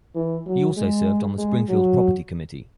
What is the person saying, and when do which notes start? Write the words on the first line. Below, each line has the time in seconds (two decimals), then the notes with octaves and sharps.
He also served on the Springfield Property Committee.
0.15 E3
0.46 F#3
0.77 G#3
1.38 G#3
1.69 F#3